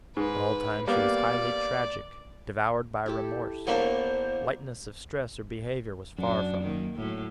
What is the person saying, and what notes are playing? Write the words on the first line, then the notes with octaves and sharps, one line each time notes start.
At all times she was highly tragic, devoured by remorse. Lightness of stress or behavior was far from her.
G#2 B4
G3 A#3 B3 D5
E4 G4 A4
E2 A#3 D4 C5 C#5 B5
F#2 D4 F#4
D#3 A#3
A2 F#3